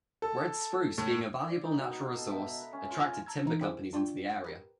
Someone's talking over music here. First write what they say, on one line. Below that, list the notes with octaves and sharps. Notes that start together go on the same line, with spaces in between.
Red spruce, being a valuable natural resource, attracted timber companies into the area.
A4
A2
D5
D#4
B2
B3
F5
A4
E5
A#5
B4
C#4
F4
G#5
A5 A#5 E6 G#6
E3 D#4
C4 E4 G4 G#4 B4 C5
D4 F4 D5 G5 C#6
G4 A#4 B4